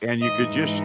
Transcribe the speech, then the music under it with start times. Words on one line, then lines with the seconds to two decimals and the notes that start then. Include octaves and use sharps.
and you could just
0.21 G#2 E3 G#3 D#4 D#5